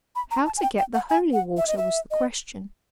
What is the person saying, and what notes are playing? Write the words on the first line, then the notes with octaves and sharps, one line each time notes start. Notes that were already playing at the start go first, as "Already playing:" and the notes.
How to get the holy water was the question.
B5
A#5
A5
G#5
G5
G5
F#5
G#5
F#5
E5
D#5
E5
D#5